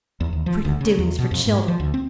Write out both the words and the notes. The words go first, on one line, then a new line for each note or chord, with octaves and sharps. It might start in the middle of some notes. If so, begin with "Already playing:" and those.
Pretty doings for children.
E2
D#2
F3
D2
C#3
E2
B2
F2
G#2
F3
D2
C4